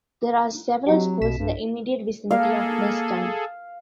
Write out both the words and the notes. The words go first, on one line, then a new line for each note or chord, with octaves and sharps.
There are several schools in the immediate vicinity of Nesttun.
F#3 C4 F#4 G4
B1 B2 B6 E7
G2
A#3 G#4 A4 F5